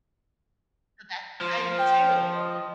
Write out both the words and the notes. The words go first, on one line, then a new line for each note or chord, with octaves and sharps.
So, that's exciting too.
F3
G5
D#5